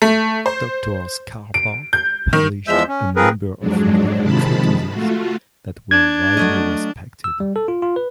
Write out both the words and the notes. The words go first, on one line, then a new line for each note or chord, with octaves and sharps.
Doctor Scarpa published a number of medical treatises that were widely respected.
A3
C5
D7
G6
D#3
E2 F3 G#3 E5 E6 G6
C#4
F3 C4 G#4 A#4 B4
F2 G#2 F#3 G#3 D4
C3 D#3 F3 G#3 A5 B5
A3 F4 F#4
D4 G#6
F#3 A3 D#5
E6
G3
A4
F4
F4
B4